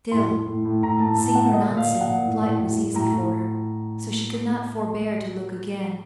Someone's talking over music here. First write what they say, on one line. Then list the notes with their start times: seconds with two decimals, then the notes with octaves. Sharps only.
Still, seen or not seen, flight was easy for her, so she could not forbear to look again.
0.12 A2 C6
0.29 A2
0.47 A2
0.65 A2
0.82 A2 A#5
1.00 A2 A5
1.18 A2 A5
1.35 A2 F#5
1.53 A#2 D#5
1.70 A#2
1.77 F5
1.89 A#2
2.01 F#5
2.06 A#2
2.24 A2
2.42 A2
2.60 A2
2.77 A2
2.94 A2 A#5
3.12 A2